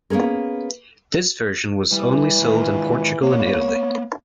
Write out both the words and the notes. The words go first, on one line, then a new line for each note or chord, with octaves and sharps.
This version was only sold in Portugal and Italy.
A#3 B3 C#4 G#4 A#4
E3 G3
D#3 G#3 F4
A#3 B3 C#5